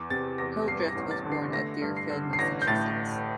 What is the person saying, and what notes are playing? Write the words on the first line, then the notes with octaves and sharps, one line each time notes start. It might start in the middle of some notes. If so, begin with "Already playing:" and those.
Hildreth was born at Deerfield, Massachusetts.
Already playing: E2
C3 A6
E2 A#6
G2 C7
A#6
A1
A6
D3
C7
A3 A#6
G2
C7
D3
C7
A1 A#6
G6
A2 A6